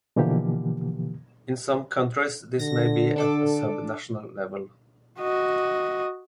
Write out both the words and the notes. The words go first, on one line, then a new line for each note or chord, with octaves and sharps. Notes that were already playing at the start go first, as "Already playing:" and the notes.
In some countries this may be at a subnational level.
B2 D3 E3 F3 A#3 G4
D3 A#6
D4 A4 D6
F#4 D#5